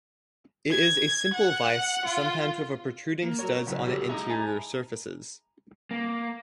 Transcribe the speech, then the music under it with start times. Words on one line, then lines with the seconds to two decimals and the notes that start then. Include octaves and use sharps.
It is a simple vice, sometimes with protruding studs on the interior surfaces.
0.71 G#6
1.34 F#5
2.06 F4
3.23 A#3
3.39 F#3 A#4 C#5
3.67 F#1 B1 C#3
3.87 G#3 F#4 G4 A4
4.09 G#3 D#4 E4 E5 A#5
4.30 G#5 A5 B5
5.91 A#3